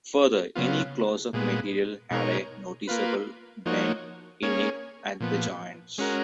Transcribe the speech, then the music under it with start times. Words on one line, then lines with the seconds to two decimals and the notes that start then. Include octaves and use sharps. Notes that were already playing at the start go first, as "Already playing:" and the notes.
Further, any close-up material had a noticeable bend in it at the joins.
0.55 C#3 F#3 B3 F4
1.33 A#2 G#3 B3
2.11 B2 G#3 D#4 A#4 C#5
2.88 A#3 F4 B4
3.66 F3 A#3 D#4 F#4 C#5
4.43 A#3 C#4 G#4 C#5
5.20 A#2 F3 B3
5.98 G#3 C#4 F#4 A#4